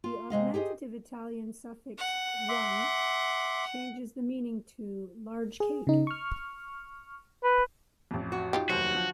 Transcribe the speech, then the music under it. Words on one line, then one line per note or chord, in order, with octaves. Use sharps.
The augmentative Italian suffix "-one" changes the meaning to "large cake".
F4
C3 G#3 D#5 F5
G4 G#4 C5 D#5
F#5
E5 C6 D6
G#4
C#3 D#4
C#6 F6
B4
A1 F2
F#4
D#4 F4 G4
F1 D#2 F#3 F#4 C5 G6
D3 F3